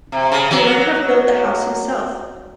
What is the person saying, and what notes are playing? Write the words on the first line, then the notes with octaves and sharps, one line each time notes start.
He might have built the house himself.
C3
C#3
F#3